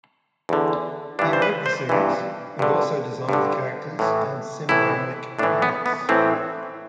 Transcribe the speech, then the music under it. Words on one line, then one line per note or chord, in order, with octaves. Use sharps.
He wrote the series and also designed the characters and Sym-Bionic Units.
E2 D3
G2 E3 D4
C5
B4
C5
G2 E3
G2 D3
G2 D3
A2 E3
A2 E3 E4
A2 E3 D4
B3
B3
A2 E3 C4